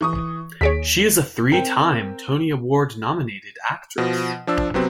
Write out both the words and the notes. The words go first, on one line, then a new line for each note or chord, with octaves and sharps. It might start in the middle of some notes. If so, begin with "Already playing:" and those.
She is a three-time Tony Award-nominated actress.
E3 C#6 D#6
D#2 G#4 C#5 B6 D7
C4 A#4 G5
B2 F3
F3 D4 E6
C3 F#3 B3 C4